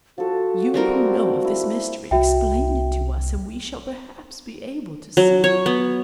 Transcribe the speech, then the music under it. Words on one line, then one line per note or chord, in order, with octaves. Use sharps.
'You who know of this mystery, explain it to us, and we shall perhaps be able to save you.
F3 F#4 A4
G3 C4 A#4
E4
C2 F#4 E5 G5
F#3
C#5
B3